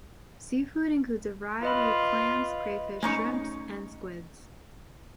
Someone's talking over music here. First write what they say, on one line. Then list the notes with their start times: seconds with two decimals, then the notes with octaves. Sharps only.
Seafood includes a variety of clams, crayfish, shrimps and squids.
1.63 F4 B4 D#5 B5
3.03 G#3 A3 C#4 D#4 C#6